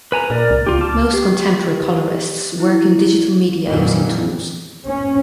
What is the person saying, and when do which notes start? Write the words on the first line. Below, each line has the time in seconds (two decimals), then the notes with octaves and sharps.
Most contemporary colorists work in digital media using tools.
0.12 B4 G#5 A#5
0.30 A#2 A#4 D5
0.50 C2
0.67 C#2 F4 G4
0.81 A5 D6 F6
1.13 G4
2.60 E4
3.66 B1 F2 A#2 E3 F#3 G3
4.88 C#4